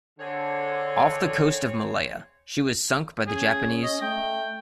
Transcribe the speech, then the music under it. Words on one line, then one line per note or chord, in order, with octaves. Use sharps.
Off the coast of Malaya, she was sunk by the Japanese.
D3 C4 G#4 C#5
C#4 G#4
D#5
A3 G5